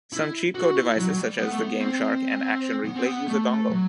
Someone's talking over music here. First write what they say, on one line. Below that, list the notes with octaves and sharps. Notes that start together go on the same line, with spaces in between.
Some cheat code devices, such as the GameShark and Action Replay use a dongle.
E4
F#4
E4
F#3
F#3
G3
B3
A3
B3
C4
B3
C4
B3
A3
F#3